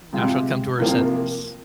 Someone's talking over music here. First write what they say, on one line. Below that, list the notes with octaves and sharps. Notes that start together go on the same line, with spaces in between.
Now she'll come to her senses,
C3 G#3 F4
C3 F3 A#3 F4